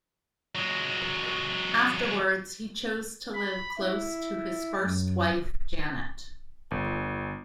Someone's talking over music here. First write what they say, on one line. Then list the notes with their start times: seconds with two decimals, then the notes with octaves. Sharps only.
Afterwards he chose to live close to his first wife Janet.
0.56 F#3 G#3
3.34 B5
3.78 E4
4.80 F#2
6.71 G1